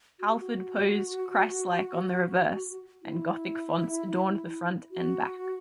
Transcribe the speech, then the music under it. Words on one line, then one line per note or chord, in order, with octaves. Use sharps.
Halford posed Christ-like on the reverse, and Gothic fonts adorned the front and back.
F#4
G4
F#4
E4
F#4